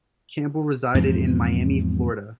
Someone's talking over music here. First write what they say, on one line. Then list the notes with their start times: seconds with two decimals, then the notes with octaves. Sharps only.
Campbell resided in Miami, Florida.
0.94 E2 G#2 F3 C4